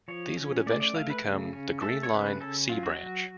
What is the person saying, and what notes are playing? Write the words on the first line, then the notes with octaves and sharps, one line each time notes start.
These would eventually become the Green Line "C" Branch.
F3 C#5
C#4
A3 D5
D5
A3 F5
B4
C#3
C#4
A3 A4
C#5
C#3 B4
C#4 A4
F#3 F4
F#4
F#3